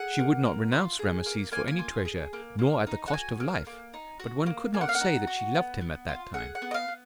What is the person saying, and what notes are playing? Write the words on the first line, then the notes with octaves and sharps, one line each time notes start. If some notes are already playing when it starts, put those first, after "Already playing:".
She would not renounce Rameses for any treasure, nor at the cost of life, but one could not say that she loved him at that time.
Already playing: G#4 F#5
A#3
A#3
F4
G#4
A#3
A#3 G#5
G#5
F4
G#4
A#3
A#3
D#4
F#5
F#4 G#5
A#3
A#3
D#4
F#4
A#3
A#3 G#5
F#5
F5
F#5
D#4
F#4
B3
B3
F4
G#4 F#5
F#5
B3
D#5
F5
B3